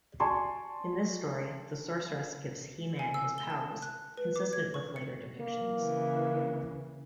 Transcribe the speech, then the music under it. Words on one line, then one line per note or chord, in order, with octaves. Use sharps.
In this story, the Sorceress gives He-Man his powers, consistent with later depictions.
D5 G#5 A5 C6 C#6
G#5
E6
G7
A5
F#6
B4
D6
G#6
C#6
C#7
A#3
C#3 E3